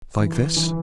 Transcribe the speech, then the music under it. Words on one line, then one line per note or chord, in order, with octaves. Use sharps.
"Like this?"
E3
E3